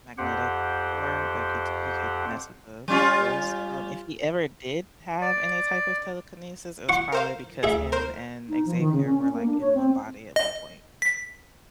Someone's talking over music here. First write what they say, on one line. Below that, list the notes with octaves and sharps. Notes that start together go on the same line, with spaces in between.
magnetic core, like it he could mess with the poles. Um, if he ever did have any type of telekinesis, it was probably because him and Xavier were like in one body at one point.
F2 G4 C5 F#5
G3 C#4 F4
D5
F#5 C#6
A#4 C5 F5
D2 G#4 E5
A#4 C5
D#4
F3
D#3
C#3
C#4
C#4
A#3
D4
C#5
C4
D#5
B6